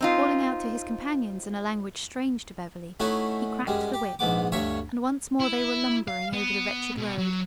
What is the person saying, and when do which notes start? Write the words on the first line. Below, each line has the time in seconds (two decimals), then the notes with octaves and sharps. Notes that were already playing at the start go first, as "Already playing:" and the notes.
Calling out to his companions in a language strange to Beverly, he cracked the whip, and once more they were lumbering over the wretched road.
0.01 C4 D#4 F4
3.00 A3 C#4 D#4 E4 F#4
3.67 F#2 G3 G#3
3.94 G4
4.19 A#1 G#2 B3 D6
4.52 D2 G2 C#5 E5 C#6
5.40 E4
6.08 F5
6.33 B3
6.97 B2
7.18 F#3